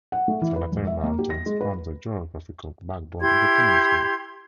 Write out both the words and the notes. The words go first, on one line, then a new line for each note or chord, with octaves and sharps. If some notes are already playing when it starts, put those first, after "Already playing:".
The Lattari Mountains form the geographical backbone of the peninsula.
F#5
A3
E3
B4
E1
E5
A#3
G4
A#6
G#3
B4
E4 G4 C6 G#6